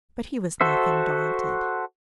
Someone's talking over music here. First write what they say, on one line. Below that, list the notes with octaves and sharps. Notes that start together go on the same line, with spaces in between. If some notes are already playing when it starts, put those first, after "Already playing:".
'But he was nothing daunted.
F#4 A4 C5 E5